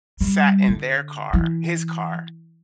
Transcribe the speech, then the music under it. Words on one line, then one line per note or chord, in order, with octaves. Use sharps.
sat in their car his car,
G3
D3
E3